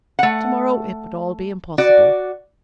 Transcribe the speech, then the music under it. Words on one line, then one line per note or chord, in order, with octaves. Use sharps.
To-morrow it would all be impossible.
A3 F#5
F#4 D5